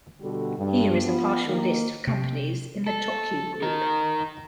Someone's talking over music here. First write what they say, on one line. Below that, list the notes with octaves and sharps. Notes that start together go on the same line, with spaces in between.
Here is a partial list of companies in the Tokyu Group.
B2 D3 G3 F#4 A4
G2
F3 B3
D#3 A#3
C3
A4
D#4 A#4